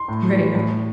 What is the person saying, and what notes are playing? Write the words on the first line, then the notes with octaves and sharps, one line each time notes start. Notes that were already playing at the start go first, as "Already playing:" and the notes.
Right, right.
Already playing: C6
A2
E3
A2